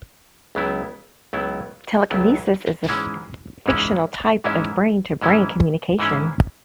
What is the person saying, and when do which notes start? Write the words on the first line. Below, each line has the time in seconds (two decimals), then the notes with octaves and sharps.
Telekinesis is a fictional type of brain to brain communication.
0.55 C#2 C#3 F#3 B3 E4
1.33 C#2 C#3 F#3 B3 E4
2.10 C#2 C#3 F#3 B3 E4
2.88 G#2 E3 G#3 C#4 E4
3.66 G#2 E3 G#3 C#4 E4
4.44 G#2 E3 G#3 C#4 E4
5.21 G#2 E3 G#3 C#4 E4
5.99 G#2 E3 G#3 C#4 E4